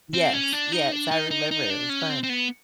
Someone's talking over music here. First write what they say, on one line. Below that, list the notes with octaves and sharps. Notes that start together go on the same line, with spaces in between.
Yes, yes, I remember it was fun.
C4
C#4
D4
D#4
D4
D#4
D#4
D#4
D4
C#4
C4
C4
B3